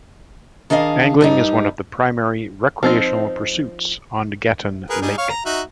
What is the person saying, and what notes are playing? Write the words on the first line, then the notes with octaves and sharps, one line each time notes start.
Angling is one of the primary recreational pursuits on Gatun Lake.
D#3 D4 G#4 D#5 F5
G2 G3 D#4
F3 C4 D#4 C5
G#4 A#4 B4
G3 D#4 G#4
C#5 F5 C#6
A#5
D#4 F#4 E5